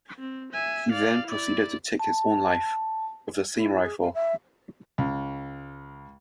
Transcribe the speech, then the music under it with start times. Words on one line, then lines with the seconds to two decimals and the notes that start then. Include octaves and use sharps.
He then proceeded to take his own life, with the same rifle.
0.19 C4
0.53 E5 G#5
0.92 D5 F5
1.27 E4 D5
1.99 A5
3.56 E4
3.83 G#4
4.01 F5
4.15 E5
4.98 C#2